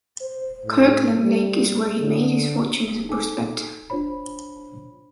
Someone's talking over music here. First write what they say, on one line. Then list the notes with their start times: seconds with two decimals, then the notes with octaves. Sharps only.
Kirkland Lake is where he made his fortune as a prospector.
0.21 C5
0.65 A2
1.21 G3
2.00 D3
3.09 D#4 A4 G#5 D6
3.90 D4 F4 C5 C#5 B5